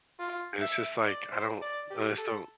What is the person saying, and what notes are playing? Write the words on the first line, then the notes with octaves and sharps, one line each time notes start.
and it's just like, I don't I just don't
F4
E5
D5
C5
D5
G4
A4